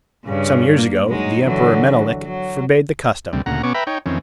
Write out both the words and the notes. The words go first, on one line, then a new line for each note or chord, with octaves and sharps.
Some years ago the emperor Menelik forbade the custom.
G2 C#3
A#3
F#3 G#3 D#4
D3 E3 F#3
F#3
D2 C3 G3
D2 A#2 C#3 F#5 A#5
B2 B3 C#4 C#6 D6
B4 E5 G5 A#5 B5
D#4 C#5 G5
F2 D#3 E3 C4 C#4